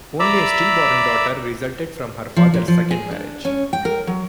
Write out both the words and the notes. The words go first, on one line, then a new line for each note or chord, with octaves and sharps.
Only a stillborn daughter resulted from her father's second marriage.
D5 E5 A#5 B5 D6 E6
F3
A#2
F3
G#4
D4
C#4
G5
A#4
F#3